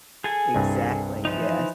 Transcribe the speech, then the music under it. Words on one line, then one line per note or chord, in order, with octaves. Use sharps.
Exactly, yes.
G#4 A4 G#5
C2 G2
E3 F3 D#4